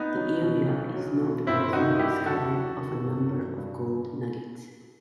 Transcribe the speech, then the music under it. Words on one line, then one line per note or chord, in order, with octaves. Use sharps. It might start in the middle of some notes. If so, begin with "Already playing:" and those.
The area is notable for the discovery of a number of gold nuggets.
Already playing: C2 B3 D#4
F#3
B2
B1
F#3
B2
G1 C4 E4
D#3 D#4 F#4
G2 E4 G4
E2 F#4 A4
F#3
D#3
G1
F#3
G2